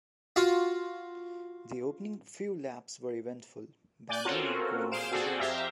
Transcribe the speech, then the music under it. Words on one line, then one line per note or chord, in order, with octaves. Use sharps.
The opening few laps were eventful - Bandini going into the lead.
F4 F#4
D5 G#5 D6 F#6 G6 A6
C4 C#4 F4 F#4 A4 A#4
A#2 G#4 C5 F5 D7 E7
C4 F#4 G#4 A4 D5
F2 G4 C5 E5 F5 A#5